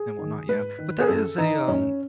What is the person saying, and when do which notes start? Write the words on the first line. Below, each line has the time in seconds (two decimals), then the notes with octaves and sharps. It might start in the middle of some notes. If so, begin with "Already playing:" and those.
and whatnot, yeah, but that is a, um
Already playing: G#4
0.19 D#3
0.49 G#2 B4
0.79 D#3
1.00 G#4
1.08 F#2 A4
1.38 E3 D#4
1.68 F#2 C#4